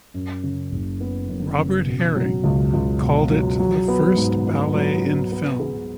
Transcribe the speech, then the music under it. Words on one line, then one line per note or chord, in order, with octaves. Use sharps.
Robert Herring called it "the first ballet in film".
F#2
C#3
F#1
B3
F#2
C#3
B2
F#3
C#2
C#2
B2
F#3
F#3
B3
G#2
D#4
F#3
B3
B3
G#4